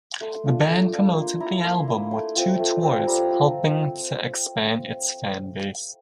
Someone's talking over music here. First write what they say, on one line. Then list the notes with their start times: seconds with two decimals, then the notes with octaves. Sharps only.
The band promoted the album with two tours helping to expand its fan base.
0.21 A3 C6
0.44 D4 F4
0.68 A3 D6
0.93 D4 F4
1.16 A#3 C6
1.40 E4 A#5
1.64 A#3 C6
1.88 E4
2.11 A3 C6
2.36 C4 F4
2.59 A3
2.83 C4 F4
3.07 G3 A#5
3.31 F4